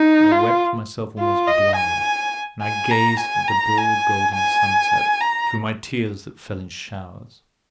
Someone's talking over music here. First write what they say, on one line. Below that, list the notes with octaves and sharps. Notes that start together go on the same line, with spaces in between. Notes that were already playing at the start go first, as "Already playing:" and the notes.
I wept myself almost blind, and I gazed at the broad golden sunset through my tears that fell in showers.
Already playing: D#4
F4
F4
D#5
G#5
G#5
A#5
G#5
A#5
G#5
G#5
A#5